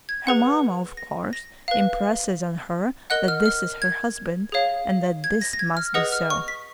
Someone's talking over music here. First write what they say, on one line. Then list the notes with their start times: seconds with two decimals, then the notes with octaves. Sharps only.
Her mamma of course impresses on her that this is her husband and that this must be so.
0.09 G#6
0.27 G#4 B4 F#5
0.97 A#6
1.33 A#6
1.68 B4 F5
3.10 A#4 D#5 F#5 F#6
3.28 F6
3.46 F6
3.82 G#6
4.52 G#4 C#5 F5
5.24 G#6
5.41 A#6
5.53 A#6
5.59 G#6
5.77 F6
5.94 G#4 B4 D#5 F#5 D#6
6.12 F6
6.30 C#6
6.48 B6